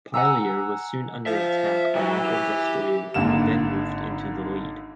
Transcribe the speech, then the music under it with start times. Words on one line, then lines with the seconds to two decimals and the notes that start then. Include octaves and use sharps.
Parlier was soon under attack by Michel Desjoyeaux, who then moved into the lead.
0.14 F#5 G#5 A#5 E6
1.26 F3 E5
1.95 E3 F#3
2.25 G4
3.14 G#1 D3 A#3 E7